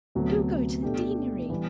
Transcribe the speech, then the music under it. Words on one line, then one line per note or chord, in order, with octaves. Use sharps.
Do go to the deanery.
D2 C3 F#3 B3
B2 A3 D4 G4
E3 G3 B3